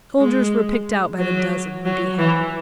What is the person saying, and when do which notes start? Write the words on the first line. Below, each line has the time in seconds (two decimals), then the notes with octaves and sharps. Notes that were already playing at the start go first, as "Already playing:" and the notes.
Soldiers were picked out by the dozen and beheaded.
0.19 G#3
1.19 F#3
1.85 F#3
2.18 E3